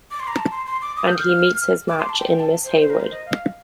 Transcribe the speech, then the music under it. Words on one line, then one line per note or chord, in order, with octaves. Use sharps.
And he meets his match in Miss Heywood.
D6
C6
A#5
A5
C6
C6
D6
D#6
G6
F6
D6
C6
A5
G5
G5
A5
C5
C5
A#4
C5
D#5
F5